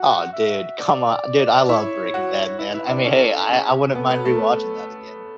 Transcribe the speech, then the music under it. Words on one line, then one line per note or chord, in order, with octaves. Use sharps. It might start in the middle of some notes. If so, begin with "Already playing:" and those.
Oh, dude. Come on. Dude, I love Breaking Bad, man. I mean, hey. I I wouldn't mind rewatching that again.
Already playing: F#4 F#5
E5
D5
E4 C#5
F#4
E4 B4
E4
D4
C#4 A4
C#4 G#4
B3 A4
B3
A3